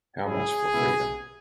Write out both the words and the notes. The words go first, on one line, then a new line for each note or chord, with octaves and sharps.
How Much for Freedom?
G#2 F#3 C#4 E4 G#4
C#2 B2 B3 E4